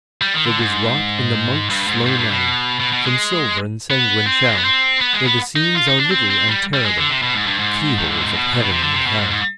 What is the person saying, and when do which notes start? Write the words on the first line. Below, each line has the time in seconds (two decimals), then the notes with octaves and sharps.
It was wrought in the monk's slow manner, From silver and sanguine shell, Where the scenes are little and terrible, Keyholes of heaven and hell.
0.21 G3
0.34 D#3
0.46 D3
0.59 G#2
1.70 G2
1.87 G#2
2.06 G#2
2.19 G2
2.30 B2
2.80 B2
2.92 B2
3.05 G#3
3.90 B3
4.27 C4
4.49 G#3
4.57 B3
4.65 C4
5.01 B3
5.13 G#3
5.25 B3
5.56 D#4
5.75 F4
5.87 D#4
6.00 D4
6.11 C4
6.30 C4
6.48 G3
6.73 G3
6.85 G#3
6.97 D3
7.10 C3
7.22 B2
7.34 G#2
7.47 G2
7.59 G#2
7.98 D#3
8.10 D3
8.21 C3
8.33 B2
8.53 G#2
8.62 B2
8.72 C3
8.82 D3
8.94 C3
9.07 B2
9.19 G#2
9.31 G#2